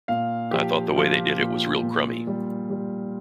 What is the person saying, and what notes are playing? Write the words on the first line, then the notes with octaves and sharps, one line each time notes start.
I thought the way they did it was real crummy.
A#2 F5
F3 G4
F3 F4
A#2
A#2
G3
G3